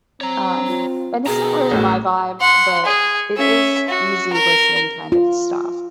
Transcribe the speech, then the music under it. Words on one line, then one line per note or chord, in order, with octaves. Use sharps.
Um, and it's not really my vibe, but it is easy listening kind of stuff.
C4 C#5 A#5
F4
B2 G#4 A#4 G5 A#5
A1 A2 F#4
F#5 C6
G#4
C#4 E5
F#4
A#4
F4